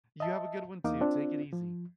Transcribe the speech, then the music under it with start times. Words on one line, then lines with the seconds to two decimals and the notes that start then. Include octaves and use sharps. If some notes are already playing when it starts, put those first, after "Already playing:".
You have a good one too, take it easy.
0.20 D#5 E5 A5
0.84 E2 A#3 D#4 F5 D6
1.01 C4 D4 F4
1.53 F3